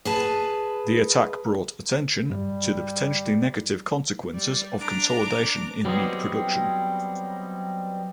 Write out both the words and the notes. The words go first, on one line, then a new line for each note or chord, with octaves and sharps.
The attack brought attention to the potentially negative consequences of consolidation in meat production.
G#4 B4 A5
G2 G3
G3 D5
D4 A#5 D6
F#3 G3 B3 C4 D#4 G#4